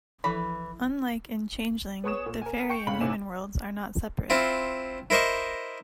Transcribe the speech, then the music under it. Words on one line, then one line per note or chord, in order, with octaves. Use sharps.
Unlike in Changeling, the faerie and human worlds are not separate.
E3 F3 A4 B5
B3 G#4 C#5 C#6 D#6 E7
A#2
A#4 G#5
G5 C#6 C#7
G1 C#3 F5 B5 F#7
A1 G#2 C3 G#5 E7
C4 E4 F4
E4 A#4 C5 D#5 C#6